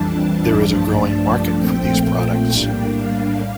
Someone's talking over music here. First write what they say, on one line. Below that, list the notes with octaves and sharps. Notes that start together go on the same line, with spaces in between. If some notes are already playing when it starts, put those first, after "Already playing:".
There is a growing market for these products.
Already playing: F2 E3 G3 D4 A5
G2 F3 A3 D4 A5
A#2 F3 A3 C4 G5
A2 G3 A#3 D4
F5